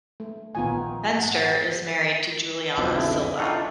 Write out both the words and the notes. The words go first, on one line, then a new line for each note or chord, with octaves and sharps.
Fenster is married to Juliana Silva.
A3
A#1 D#2 D#3 B3 F4 G#5
F3
G#2 F#5
B1 F2 D3
E4 G#4 D#5
D4 D#4 F4 A4 C#6